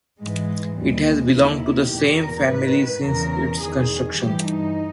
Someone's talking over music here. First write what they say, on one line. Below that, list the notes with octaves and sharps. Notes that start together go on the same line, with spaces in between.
It has belonged to the same family since its construction.
G#2 E3 G#3
D#2 C#3 E3 G3
G#3
D#2 D#3 E4
E2 B2 G4
A#4
G#2 D#3 B4
E2 C#3 E3 A#4
E2 D#3 G#4
G2 E3 G4
D#4